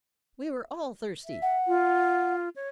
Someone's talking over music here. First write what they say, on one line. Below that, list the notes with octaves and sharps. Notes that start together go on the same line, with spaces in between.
"We were all thirsty."
E5
F#5
F4
C#5